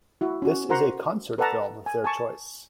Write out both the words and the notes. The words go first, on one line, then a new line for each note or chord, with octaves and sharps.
This is a concert film of their choice.
E4 F#4
C#4 F#4
F#4 A#4 C5 F#5 A#5 C6
A4 B4 D5 F#5 A5 A#5
G#5
G#5 A5 C#6